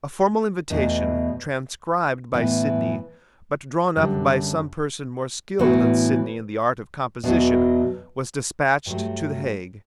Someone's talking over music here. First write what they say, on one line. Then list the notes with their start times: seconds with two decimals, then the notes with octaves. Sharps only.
A formal invitation, transcribed by Sidney but drawn up by some person more skilled than Sidney, in the art of composition, was despatched to the Hague.
0.70 E2 B2 A3
2.33 A2 E3 B3 E4
3.96 F#2 D3 G3
5.59 A2 E3 B3 F#4
7.24 E2 B2 F#3 B3 F#4
8.86 G2 F#3 A3